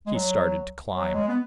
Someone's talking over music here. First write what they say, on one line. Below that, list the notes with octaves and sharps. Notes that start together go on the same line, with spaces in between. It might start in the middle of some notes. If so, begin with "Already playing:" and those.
He started to climb.
G#3
F#3
F#3
G#3
B3